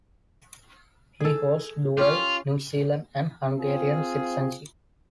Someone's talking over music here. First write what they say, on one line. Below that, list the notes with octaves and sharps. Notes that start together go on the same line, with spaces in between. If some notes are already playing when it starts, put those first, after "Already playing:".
He holds dual New Zealand and Hungarian citizenship.
G#4 A4
C#4 F4 G4
C4 F4 G#4